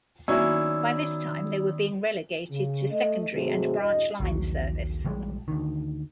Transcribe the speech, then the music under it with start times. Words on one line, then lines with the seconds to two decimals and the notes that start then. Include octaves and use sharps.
By this time they were being relegated to secondary and branch line service.
0.28 A#2 D#3 F#3 B3 C#4 E4 D5 E6
2.51 C#3
2.90 A3 D#5
3.32 G#2 C3 D#3 F#3 G#3 A3
3.78 E2 G2 B2 D#5
4.20 A#1 D#2 F#3
5.05 A#1 E3 G3 G#3
5.48 D2 D#3